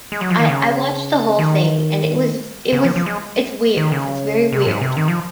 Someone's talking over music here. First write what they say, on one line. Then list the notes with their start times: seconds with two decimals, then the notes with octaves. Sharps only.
I I watched the whole thing and it was it was it's weird, it's very weird,
0.12 G#3
0.21 F#3
0.30 F3
0.39 D#3
0.49 C#3
1.39 D#3
2.73 C#3
2.84 F3
2.96 F3
3.06 G#3
3.77 D#3
3.92 C#3
4.52 C3
4.67 G#2
4.81 C3
4.97 D#3
5.08 F3